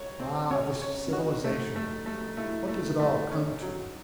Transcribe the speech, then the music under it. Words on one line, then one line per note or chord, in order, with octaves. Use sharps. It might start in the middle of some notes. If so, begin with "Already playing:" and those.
Ah! this civilization, what does it all come to?
Already playing: C#5
C4
C#4 C#5
C#5
C#4
D#4 F#4
A3
A3
A3
A3 E4
A3
A3 D#4
C#4
F#3